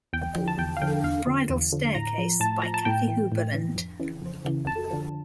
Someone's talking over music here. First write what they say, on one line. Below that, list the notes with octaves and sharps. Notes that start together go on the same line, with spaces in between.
Bridal Staircase - by Kathy Huberland.
E2 G5
D3 F3
A5
E2 G5
F5
D3 F3 G5
E2 F5
D3 F3
E2
D3 F3
A2 A#5
F3
A2 A5
F3 A#5
A5
A2 G5
E3
A2
E3
F2
C#3 E3
F2
C#3 E3
F2 A5
D3 F3